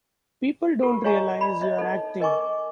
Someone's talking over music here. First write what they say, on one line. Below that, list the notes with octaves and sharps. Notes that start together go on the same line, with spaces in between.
People don't realize you're acting.
F4 G4 A4 A#4
C#5 D#5 F5 G#5 A#5 C#6
D5 B5
C#5 D#5 E5
D#4 A4
A#4 D#5 G#5 C#6 D6